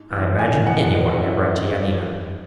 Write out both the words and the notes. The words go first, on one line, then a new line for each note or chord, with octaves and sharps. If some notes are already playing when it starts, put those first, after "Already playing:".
"I imagine any one may write to Yanina."
Already playing: G#2
E3
A2 G#5
E3 F#5
A2 D#5
F#5
E3 E5
F#2
E3
G#2